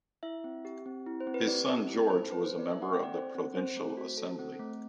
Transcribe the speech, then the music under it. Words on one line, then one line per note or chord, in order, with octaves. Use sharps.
His son George was a member of the provincial assembly.
E4 E5
C4
G4
C4
E4
C5
C4
B4
G4 D5
C4
E4
C4 C5
A4 B4
C5
C4
D5
E4 E5
F#5
C4 G5
D5
A4 C5
C4
C4 C5
A3
F#4
A4
C4
A3